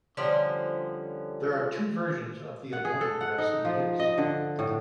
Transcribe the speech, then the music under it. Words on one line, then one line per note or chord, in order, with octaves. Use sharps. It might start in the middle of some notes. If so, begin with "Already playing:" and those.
There are two versions of the Aboyne dress in use.
D3 F3 G3 C#4
F#5
G#4
A4
F#5
D#4
F3
D#5
D3
A2